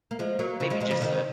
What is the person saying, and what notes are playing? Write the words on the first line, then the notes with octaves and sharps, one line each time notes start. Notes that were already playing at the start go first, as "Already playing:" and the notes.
maybe just a
A#3
F3 G#3
F#3 A#3
C#3 F3
F3 G#3
F3 G#3
C#3 F3
C3 D#3